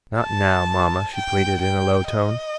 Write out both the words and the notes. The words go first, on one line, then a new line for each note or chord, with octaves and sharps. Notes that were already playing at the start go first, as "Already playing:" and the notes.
'Not now, mama,' she pleaded in a low tone.
A5
G5
G5
D#5